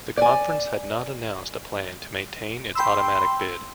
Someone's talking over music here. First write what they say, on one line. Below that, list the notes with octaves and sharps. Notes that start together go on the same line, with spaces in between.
The conference has not announced a plan to maintain its automatic bid.
D5 G#5
G5 B5 C6 E6